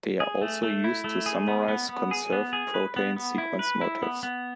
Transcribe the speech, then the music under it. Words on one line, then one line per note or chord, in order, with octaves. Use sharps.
They are also used to summarise conserved protein sequence motifs.
G#4
A3
A3
E4
A3
G#4
B3
B3
B3
G#4
B3
G#4
B4
B3
B3
E4
B4
E4
B3
B3